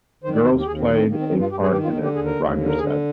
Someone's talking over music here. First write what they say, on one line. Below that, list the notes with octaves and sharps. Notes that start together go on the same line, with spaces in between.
The girls played a part in it, Rogers said.
D#3 C5
D5
D#2 C5
G4
D#2 G#4
C4
D#3 A#3
C4
D#3 A#3
C4
G2 C4
F4
G2 G4
G#4
D#3 G4
F4
D3 D#4
G4
D#2 G#4
A#4
D#2
D3
A#4
D3 G#4